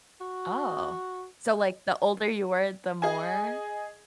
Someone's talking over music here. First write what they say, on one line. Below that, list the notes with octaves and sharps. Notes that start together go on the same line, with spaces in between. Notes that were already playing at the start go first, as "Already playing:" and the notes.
Oh, so like, the older you were, the more
F#4
G#4 D#5 G#5